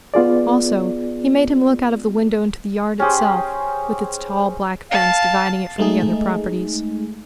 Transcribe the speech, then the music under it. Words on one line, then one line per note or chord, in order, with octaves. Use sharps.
Also, he made him look out of the window into the yard itself, with its tall black fence dividing it from the other properties.
B3 F4 G#4 D5
C#4 G4 G#4 C5
F5 A5
G#3 A3 D#4 G#4